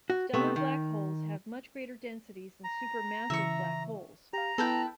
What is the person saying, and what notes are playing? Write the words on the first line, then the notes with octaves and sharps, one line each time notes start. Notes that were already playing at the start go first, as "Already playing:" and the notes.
Stellar black holes have much greater densities than supermassive black holes.
F#4
C3 A3 B3
D#3
A#5
C#3 E3 E5 C#6
G4 F5 A#5
B3 E4 A4 B4 G5